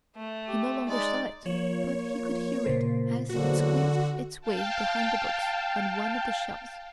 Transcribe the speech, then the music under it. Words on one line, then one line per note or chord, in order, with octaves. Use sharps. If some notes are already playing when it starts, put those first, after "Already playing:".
He no longer saw it, but he could hear it as it squeezed its way behind the books on one of the shelves.
A3
G4
G#3 D#4 D5
F3 A#3 F4 C#5
A#2 C#3 C5
E2 D3 F#3 A#3 F#4
F5 G5 A5